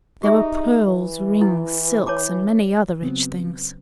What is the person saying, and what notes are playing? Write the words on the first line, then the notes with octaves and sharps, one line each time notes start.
There were pearls, rings, silks, and many other rich things.
D#4 G4 G#4 E5
E3
E4
C#5 A5 D6
C#3 F#3 B3 C4